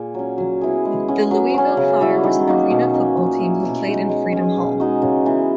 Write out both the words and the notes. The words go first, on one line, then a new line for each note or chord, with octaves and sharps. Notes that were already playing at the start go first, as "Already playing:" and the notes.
The Louisville Fire was an Arena Football team who played in Freedom Hall.
Already playing: A#2 G#4
F#3 C#4
F#3
B3 E4 G#4
G#3
C#4 F#4
F#3
C#4 F#4
C#3
F#3 C#4 E4
D#3
A#3 D#4 F#4
B2
A#3 C#4
A#2
A#3 E4
B2
G#3 D#4 F#4
G#3
C#4 G#4
B2
G#3 D#4 F#4
C#3
E3 B3